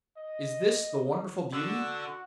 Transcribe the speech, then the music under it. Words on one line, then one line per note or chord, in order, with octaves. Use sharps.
'Is this the wonderful beauty?'
D#5
D3 F#4 E6